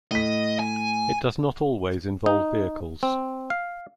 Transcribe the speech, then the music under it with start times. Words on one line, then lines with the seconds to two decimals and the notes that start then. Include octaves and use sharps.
It does not always involve vehicles.
0.11 A2 D#5 B6
0.59 G#5
2.26 D#4
3.03 C4
3.50 F5